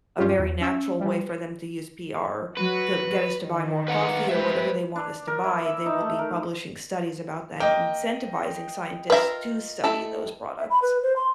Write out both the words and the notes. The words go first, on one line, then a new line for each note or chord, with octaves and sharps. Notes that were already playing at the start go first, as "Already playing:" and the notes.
a very natural way for them to use PR to get us to buy more coffee or whatever they want us to buy, they will be publishing studies about that and incentivizing scientists to study those products.
G2 C#4 F4 G4
E2
C#4 E5
E3 G3
F#3 F#4 B4
D#3
B4 F#5 A#5
G#3 B4 C5 E5
D4
A#4
E4
E5
D#4
A3
A#4
A#3 D#5 G5
F4 A#4 B4 E5
A3 E4 A4
E5
B5
B4
C5
C6